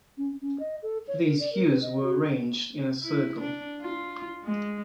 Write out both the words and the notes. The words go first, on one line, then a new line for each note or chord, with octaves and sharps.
These hues were arranged in a circle.
C#4
C#4
D#5
A4
C#5
A#4
D5
A#4
B4
D#5
F#4
E4
D4
F4
G#3